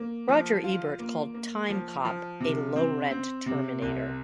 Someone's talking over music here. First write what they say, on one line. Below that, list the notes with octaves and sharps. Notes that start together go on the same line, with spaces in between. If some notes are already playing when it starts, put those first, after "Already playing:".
Roger Ebert called "Timecop" a low-rent "Terminator".
Already playing: A#3
F3
F4
A#3
A#3
F3
F3
C3
C4
C4
C3
C2